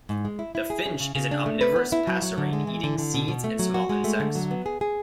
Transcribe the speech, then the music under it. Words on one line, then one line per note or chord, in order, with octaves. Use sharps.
The finch is an omnivorous passerine eating seeds and small insects.
G#2
G#3
E4
E4
G#4
C#4
C#3
C#3
D4
A3
B4
B3
E4
F#3
F#3
D3
G#3
E3
D3
D3
B2
B2
A3
F#3
F#4
G#3
A3
D3
F#3
B3
G#4
G#4